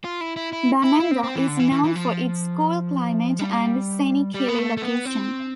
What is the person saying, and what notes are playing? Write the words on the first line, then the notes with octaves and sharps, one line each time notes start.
Bamenda is known for its cool climate and scenic hilly location.
F4
E4
E4
E4
E4
E4
C4
C4
E3
D3
E3
E3
E3
F3
G3
G3
B3
A3
A3
B3
C4